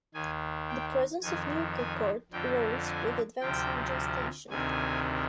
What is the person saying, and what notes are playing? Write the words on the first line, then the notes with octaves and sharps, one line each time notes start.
The presence of nuchal cord rose with advancing gestation.
D#2 D#3 G#5
G5
F2 D#3 G#5
G#5
F2 D3 F3 G5
G#5
D2 C3 F3 G5
D2 C3 D#3 G#5